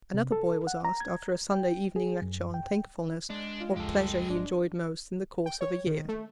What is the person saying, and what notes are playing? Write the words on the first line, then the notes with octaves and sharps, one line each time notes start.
Another boy was asked, after a Sunday evening lecture on 'Thankfulness,' what pleasure he enjoyed most in the course of a year.
C3
A4
F#5
A#5
G#6
G5
G#4
F#2
G5
G#3 D4
F4
C#2 F#2 F3 G4 A4
G#1 D4
G5
C#5
D#3
A3